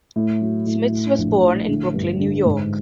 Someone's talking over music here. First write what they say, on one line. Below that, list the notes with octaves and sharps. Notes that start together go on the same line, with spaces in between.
Smits was born in Brooklyn, New York.
A2
F#3
A2
A2
A#1
A2
D3
G2
D3
G#2